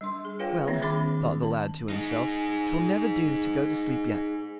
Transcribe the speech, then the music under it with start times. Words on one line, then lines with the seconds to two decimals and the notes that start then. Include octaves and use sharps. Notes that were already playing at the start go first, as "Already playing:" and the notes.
'Well!' thought the lad to himself, ''twill never do to go to sleep yet.
0.01 G3 D4 C6
0.25 G#4
0.39 F4 G#4 B4 C#5 F5 G5
0.67 A#3 C4 C#5 E5
0.82 D#3 D4 G#4 B5 D6
1.43 A5
1.89 D#4 G#4